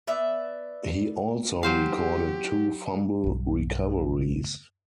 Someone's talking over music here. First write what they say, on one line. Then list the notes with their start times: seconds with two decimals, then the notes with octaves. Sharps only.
He also recorded two fumble recoveries.
0.07 B3 D5 E5
1.63 F#3 G4 C5 F5
3.24 B1 G2